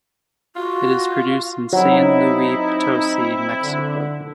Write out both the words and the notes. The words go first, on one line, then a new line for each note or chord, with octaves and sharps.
It is produced in San Luis Potosi, Mexico.
F4 F#4
F#3 C4 D#4 E4
D3